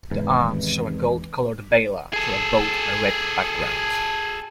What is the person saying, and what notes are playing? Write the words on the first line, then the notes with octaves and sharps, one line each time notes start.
The arms show a gold-colored bailer for a boat on a red background.
E2 G#2 C3 D#3 G#3 B4
G#4 A4